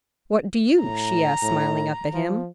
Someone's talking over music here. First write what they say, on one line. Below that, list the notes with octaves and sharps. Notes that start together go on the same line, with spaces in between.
"What do you?" she asked, smiling up at him.
A2 A#5
A2
F3